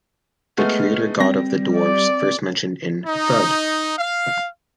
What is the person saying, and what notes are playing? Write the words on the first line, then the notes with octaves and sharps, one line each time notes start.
The creator god of the dwarfs, first mentioned in "Thud!".
G#3 A3 B3 F6
G3 C4 A#6
D5
D#4
F5